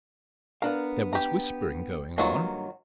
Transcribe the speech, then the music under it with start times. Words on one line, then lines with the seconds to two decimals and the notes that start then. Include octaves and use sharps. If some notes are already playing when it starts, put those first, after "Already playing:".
There was whispering going on.
0.62 B3 D4 A#4 F5
1.13 G4 A#5
2.18 G2 D#3 F#3 A#3 F4